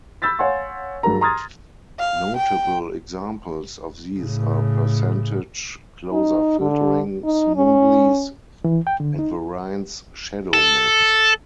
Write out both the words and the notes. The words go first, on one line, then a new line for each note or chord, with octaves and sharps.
Notable examples of these are Percentage Closer Filtering, Smoothies, and Variance Shadow maps.
B5 E6 G6 A6 B6
C#5 F5 F#5 G#5 C6
G2 F#3 F#4 G#4 A#4 A#5
A#5 C6 D#6 F6 G#6 A6
F5
G5
A2 C#3
D#4
D3
D#4
C#4
E3
G5
D3
D#4
A4